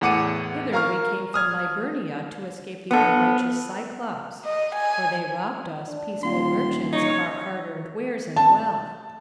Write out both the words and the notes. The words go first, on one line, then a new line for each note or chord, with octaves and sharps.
Hither we came from Liburnia to escape the unrighteous Cyclopes; for they robbed us, peaceful merchants, of our hard-earned wares and wealth.
E2 A2 F#5 D6 C#7 D#7
A#4 F5 A#5 C#6 F6
D#6 F6 G#6
B3 A4
D#5
G#5
D4
D#1 F4 C6
C#3 D#4 C#5
A5